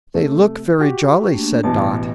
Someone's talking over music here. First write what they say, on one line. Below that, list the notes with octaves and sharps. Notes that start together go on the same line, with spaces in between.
"They look very jolly," said Dot.
C3 A3
F#4 G4
A3 A#3 D4
A1 B2 E3 A5